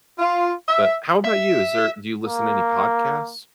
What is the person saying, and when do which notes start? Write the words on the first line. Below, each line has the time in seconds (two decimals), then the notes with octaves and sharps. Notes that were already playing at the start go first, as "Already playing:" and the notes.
But how about you, is there do you listen to any podcasts?
0.19 F4
0.68 E5
1.25 E5
2.25 A#3